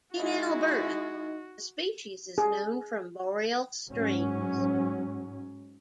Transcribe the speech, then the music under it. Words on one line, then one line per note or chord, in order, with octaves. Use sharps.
In Alberta, the species is known from boreal streams.
G#3 D#4 E4 F#4 D#5
G#4
G#2 F#3 C#4